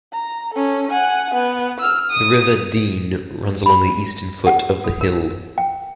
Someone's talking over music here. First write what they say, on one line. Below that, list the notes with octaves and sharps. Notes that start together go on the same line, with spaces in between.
The River Dean runs along the eastern foot of the hill.
A#5
C#4 A4
F#5 G#5
B3
E6 F6
D#6
B5
F#5
A4
A#4
G5